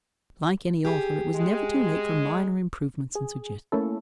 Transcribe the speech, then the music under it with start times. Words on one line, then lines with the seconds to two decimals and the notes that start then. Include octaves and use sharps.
Like any author, it was never too late for minor improvements and suggestions.
0.85 G4 G#4
1.35 G#3
3.15 G#4
3.72 A3 A#3 C#4 E4 A4